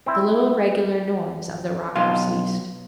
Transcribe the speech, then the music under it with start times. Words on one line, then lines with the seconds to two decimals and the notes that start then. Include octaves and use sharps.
The little regular noise of the rocker ceased.
0.06 C4 E4
1.95 B1 F5 C6